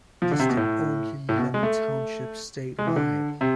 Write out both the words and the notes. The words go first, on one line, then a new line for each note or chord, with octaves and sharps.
It is the only Lemon Township statewide.
F3
D3
C3
B2
A2
A2
B2
G#3
A3
G#3
E3
D3
C3